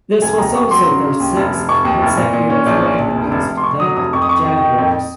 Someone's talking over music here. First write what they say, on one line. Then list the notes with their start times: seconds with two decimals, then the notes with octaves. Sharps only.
This was also their sixth consecutive win against the Jaguars.
0.22 F1 G#5
0.38 D#2 A#5
0.55 F1 C#6
0.71 F#3 C6
0.88 C#3
1.04 C#3
1.20 D#2
1.36 F1
1.53 F1
1.68 F1 C#6
1.85 D#2
2.01 F1
2.17 A#2
2.34 A#2
2.50 C#4
2.66 A#1
2.82 A#2
2.99 A#1
3.15 F1
3.31 F1
3.48 F1
3.57 C6
3.63 F2 C#6
3.80 F#3 D#6
3.97 F1 D#6
4.13 F2 C#6
4.22 D#6
4.29 F2 C#6
4.45 D#3
4.61 D#3
4.78 F2